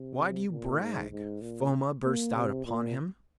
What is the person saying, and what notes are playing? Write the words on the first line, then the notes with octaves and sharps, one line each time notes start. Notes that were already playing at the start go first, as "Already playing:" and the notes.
"Why do you brag?" Foma, bursts out upon him.
Already playing: C3
A#2
G#2
G#2
A#2
A#3
C3
A#2